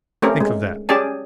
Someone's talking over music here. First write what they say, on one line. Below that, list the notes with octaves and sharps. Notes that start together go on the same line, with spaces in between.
Think of that!
A3 C4 C#4 G4 A#4
G#3
C#4 G4 G#4 D5 A5